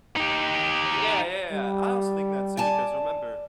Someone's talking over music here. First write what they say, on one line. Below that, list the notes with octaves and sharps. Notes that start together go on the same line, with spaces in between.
Y yeah, yeah, I also think that too 'cause remember,
D#4 G4
G3
D5 G#5 A5